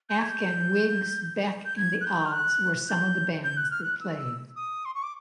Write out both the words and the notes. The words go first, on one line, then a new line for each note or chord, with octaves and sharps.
The Afghan Whigs, Beck, and the Odds were some of the bands that played.
G6
G#6
G6
G6
G#6
F#6
G6
F6
F#6
G6
G6
F#6
F6
F#6
E6
D#6
C6
C#6
D6